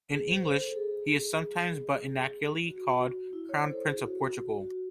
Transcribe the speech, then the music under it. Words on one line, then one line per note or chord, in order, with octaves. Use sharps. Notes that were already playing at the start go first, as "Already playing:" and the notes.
In English, he is sometimes, but inaccurately, called "Crown Prince of Portugal".
G#4
C5
C5
A4
A4
G#4
F#4
E4
C#5
C5
A4
G#4
F#4
F#4